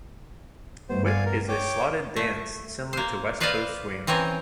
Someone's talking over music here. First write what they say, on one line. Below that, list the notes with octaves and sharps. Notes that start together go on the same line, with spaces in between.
Whip is a slotted dance similar to West Coast Swing.
G2 A3 B3 C5
D5 F5 G#5
A#4
C#5 G5 D6
A3
A#3 C5
F4 B4 C5 D5 D#5 F5
E3 C4 C#4 A#4